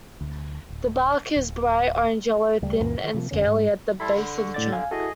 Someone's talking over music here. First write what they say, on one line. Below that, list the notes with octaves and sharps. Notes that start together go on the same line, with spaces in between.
The bark is bright orange-yellow, thin and scaly at the base of the trunk.
D2
D1
D1
D2 C#3 G3 A3
C#2 F#2 A#2 E3
G2 D#3
C3 F3 A#3
F#1 F2 D3 C#4
G#2 G3 G#3
G3 E4 A4 B5 C6
D3
C#6
A2 D5 A6
F5 G#5
E4 F#4 G#4 A4 D#5